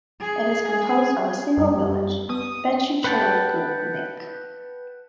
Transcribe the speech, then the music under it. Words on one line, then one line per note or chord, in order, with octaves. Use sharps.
It is composed of a single village, Becicherecu Mic.
G#4
F#2 G3
B3 D#6
B4 F#5 G5 A5